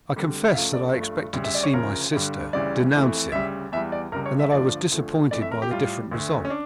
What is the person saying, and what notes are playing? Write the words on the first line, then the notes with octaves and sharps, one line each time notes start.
I confess that I expected to see my sister denounce him, and that I was disappointed by the different result.
F2 D3 G3
E5
C#2 C#3 F3 A3 F5
D5
G2 F3 A3
D2 C#3 G3
E5
D5
C#5
D2 C#3 F3 A#4
G2 D3 G3
D2 C#3 E3 G3 D5
F2 E3 A3
D2 C#3 G3 E5
E2 E3 G3 E5
D5
C#2 C#3 G3 A#4
C#5
E5
G2 D3 F3 A3 D5
D2 D3 F3 A3
F2 E3 A3 D5
E5
A#4
G4
A2 G3 F4
D2 D3 A3
C#4
D4